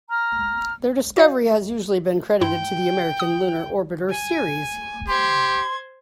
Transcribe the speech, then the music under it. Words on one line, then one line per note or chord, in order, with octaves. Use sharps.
Their discovery has usually been credited to the American Lunar Orbiter series.
A#5 F6
F#4 D5 F5
G2 E4 G5 C6
D#6
G#5
G4 C5 C6 G#6